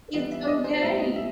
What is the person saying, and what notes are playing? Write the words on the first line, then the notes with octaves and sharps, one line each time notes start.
it's okay,
E3 G3 B3 D#5
E5
D#5
C5
A2 G3 B3 E5
D#5
E5